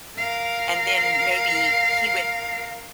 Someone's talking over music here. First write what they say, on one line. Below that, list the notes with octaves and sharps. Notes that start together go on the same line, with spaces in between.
and then maybe he would
A#4 F5